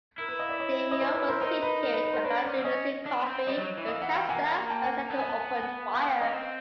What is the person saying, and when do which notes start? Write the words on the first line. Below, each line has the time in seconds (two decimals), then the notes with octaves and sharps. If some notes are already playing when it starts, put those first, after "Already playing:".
DeMeo was seated, about to receive coffee, when Testa and Senter opened fire.
0.18 E4 A#4
0.29 B4
0.39 D#5 F5
0.49 D5 E5
0.60 C#5 D#5
0.91 D#5
1.00 C5 D5
1.14 B4 C#5
1.28 A#4 C5
1.41 D#4 A#4 C5
1.62 B4
1.83 A#4
1.93 B4
2.03 B4
2.13 A#4 C5
2.23 D4 B4 C#5
2.44 C#4 C5 D5
2.59 C4
2.65 C#4 C#5 D#5
3.06 D4
3.23 B3
3.26 C4
3.47 G3 C#5 D#5
3.57 F#3
3.78 E3
3.88 D#5 F5
4.01 E5 F#5
4.15 F5 G5
4.29 A#3 F#5 G#5
4.70 G5 A5
4.84 F#5 G#5
4.98 G#5
5.08 B3 A5
5.19 G#5
5.29 A5
5.39 G#5
5.50 A5
5.60 F#5 G#5
5.93 F5 G5
6.07 F5 G5
6.21 C#4 D#5 F5
6.34 C4